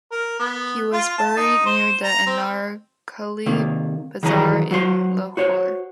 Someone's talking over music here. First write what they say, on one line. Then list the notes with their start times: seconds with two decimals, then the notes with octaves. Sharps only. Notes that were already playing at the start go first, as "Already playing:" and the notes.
He was buried near the Anarkali Bazaar in Lahore.
0.12 A#4
0.40 B3
0.93 F4
1.18 A5
1.37 D#4
1.66 C5
2.04 A#5
2.27 C4
3.46 C3 D#3 A#3
4.23 D#3 E3 F#3 G#4 A#5
4.71 F#3 F#4 C5
5.37 F#4 C5 C#5